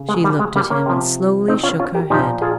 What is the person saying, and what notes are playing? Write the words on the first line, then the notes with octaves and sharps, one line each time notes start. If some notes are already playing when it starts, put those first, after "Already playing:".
She looked at him, and slowly shook her head.
Already playing: C#3
G#3
G3
G#3
G3 A#3
A#3 C#4
C3 F3
C4 D#4
C#4 F4
C#4 F4
G4 A#4
A#2 F3 D#4 G4
F4 G#4